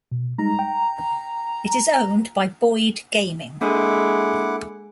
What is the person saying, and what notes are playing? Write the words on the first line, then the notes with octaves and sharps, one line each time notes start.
It is owned by Boyd Gaming.
B2
G3 G#3 D#4 A#5
G5
G#3 A#3 D4 E4 A4 F#5 D6